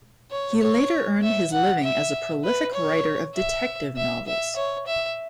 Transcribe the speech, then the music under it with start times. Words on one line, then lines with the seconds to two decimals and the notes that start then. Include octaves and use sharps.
He later earned his living as a prolific writer of detective novels.
0.31 C#5
0.62 C#5
1.23 E5
1.52 F#5
1.82 E5
2.44 B4
2.74 C#5
3.35 E5
3.96 E5
4.27 E5
4.56 C#5
4.87 E5